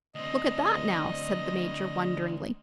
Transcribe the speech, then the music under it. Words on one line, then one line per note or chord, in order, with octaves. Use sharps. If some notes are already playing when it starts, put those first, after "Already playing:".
"Look at that, now!" said the Major, wonderingly.
D2 C4 D#5